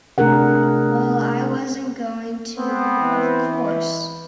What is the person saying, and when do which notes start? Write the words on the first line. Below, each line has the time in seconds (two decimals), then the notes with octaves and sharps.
Well, I wasn't going to, of course.
0.18 C3 A3 D4 G#4 A#4 F#5
2.57 B3 C4
3.02 E3